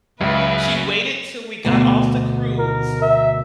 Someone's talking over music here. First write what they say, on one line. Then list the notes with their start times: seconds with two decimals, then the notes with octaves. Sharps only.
She waited till we got off the cruise
0.21 C#2 F#2 C#3 B4 E5
1.65 D2 B2
2.59 A#4
3.02 E5